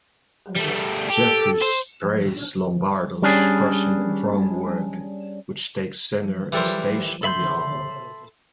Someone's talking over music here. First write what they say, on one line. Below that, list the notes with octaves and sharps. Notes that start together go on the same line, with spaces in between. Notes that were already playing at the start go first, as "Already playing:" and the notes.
Jeffries praised Lombardo's "crushing drum work" which takes center stage on the album.
G3 A3
G4 A4
C5
G3 C#4 D4 G#4
E3 G3 A4 A#4 C5
A4 E5 B5 C6 G6